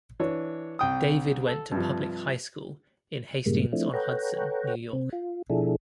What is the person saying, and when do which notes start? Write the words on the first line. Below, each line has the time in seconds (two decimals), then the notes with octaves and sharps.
David went to public high school in Hastings-on-Hudson, New York.
0.20 E3 D4 C#5
0.79 C2 G5 D#6
1.47 A4
1.72 G2 C3 F3
3.46 G2 A#2 C#3 G3 G#3 A#3
3.73 F3 A3 C4 D4 E4
3.94 A4 B4 C#5 F#5 G5 A#5
4.93 C3 C4
5.13 F4
5.50 B2 F3 D4 E4 G#4 A4